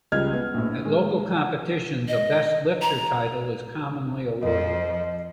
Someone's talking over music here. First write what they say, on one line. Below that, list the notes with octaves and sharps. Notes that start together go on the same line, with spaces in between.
At local competitions, a "Best Lifter" title is commonly awarded.
C#2 F3 G3 D#5 F6 G#6
B3
A#1 A2
G#3
F#5
D#5
A#5
F2 F3 D#5